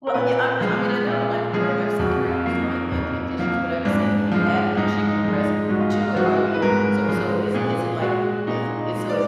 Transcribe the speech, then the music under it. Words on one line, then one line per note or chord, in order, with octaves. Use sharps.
Well, yeah, I I mean I know I've curr I've seen curry used in, like, Indian dishes, but I was saying, when you added the chicken breast to it, are you so so is is it like is so it's
A#4
A#2 B4
F3 G#3
A#2
F3 G#3 G#4
F2 F#4
F4
F3 A#3
D#4
F2
F3 A#3
G#2 D4
F3 G#3
G#2 D#4
D#4
F3 G#3
D#4
G#2 F#4
F4
D#4
F4
F3 G#3 F#4
B4
G#2 A#4
F3 G#3
A#2 G#4
G#3 F#4
A#2 D#4
D#4
G#3
D5